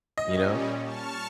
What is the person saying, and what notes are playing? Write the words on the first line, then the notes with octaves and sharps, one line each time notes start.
you know?
A#2 G3 C#4 D#5
A5 C#6 F6